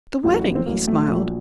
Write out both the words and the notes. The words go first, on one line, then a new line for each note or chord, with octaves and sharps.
"The wedding," he smiled.
A1 A2 F#3 G4
F#4
C4
A1 A2 F#3 A#3
A3
A#1 A#2 F#3